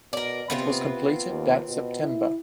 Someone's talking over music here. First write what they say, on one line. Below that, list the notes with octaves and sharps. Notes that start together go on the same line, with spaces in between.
It was completed that September.
B2 A#4 D5
C3 B3 C4 F4
D#2
B2
E4